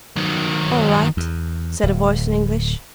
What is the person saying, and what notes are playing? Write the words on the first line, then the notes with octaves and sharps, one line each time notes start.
"All right," said a voice in English.
D#3 F#3
E2
D1